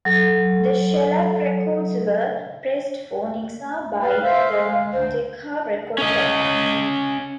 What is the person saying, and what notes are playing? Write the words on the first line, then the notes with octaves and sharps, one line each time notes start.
The shellac records were pressed for Nixa by the Decca Record Company.
F#3 A4
B4 F5
C5 E5 F5
G#3
D2 C5
C#4 D#5